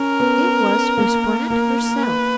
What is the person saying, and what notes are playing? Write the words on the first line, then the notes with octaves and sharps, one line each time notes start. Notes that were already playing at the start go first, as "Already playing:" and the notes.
It was Miss Brant herself.
Already playing: C#4 A#4
B3
A#3
A#3 A#4
B4